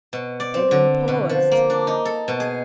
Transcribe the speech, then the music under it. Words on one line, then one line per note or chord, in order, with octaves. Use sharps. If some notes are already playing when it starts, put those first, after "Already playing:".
Edwin paused.
B2
D5
C4
D3
B2
F3
A#3
D4
D#4
A4
B2
G#4